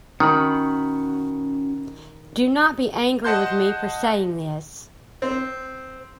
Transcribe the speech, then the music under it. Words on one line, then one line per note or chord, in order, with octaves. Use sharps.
Do not be angry with me for saying this.
D#3 C#4 F#4 B5
C5 D#5 F#5 A5 C6 G6
C4